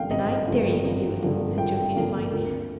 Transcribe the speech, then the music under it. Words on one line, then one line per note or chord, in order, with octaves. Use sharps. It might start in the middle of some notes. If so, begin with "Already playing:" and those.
"Then I dare you to do it," said Josie defiantly.
Already playing: G#1 G2 D3 F3 A#3 F5 G5
G#1 D#5
G2 D3 F3 A#3
G#1
G2 D3 F3 A#3
G#1 G5
G2 D3 F3 A#3
D2